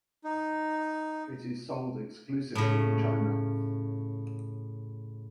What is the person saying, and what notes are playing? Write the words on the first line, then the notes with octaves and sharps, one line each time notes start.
It is sold exclusively in China.
D#4
A2 C#3